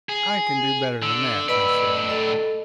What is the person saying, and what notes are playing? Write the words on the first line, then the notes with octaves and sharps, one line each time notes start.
"I can do better than that," I said.
G#4
D3 E6
A2 B4 D5 D#5 B5
A4 D#5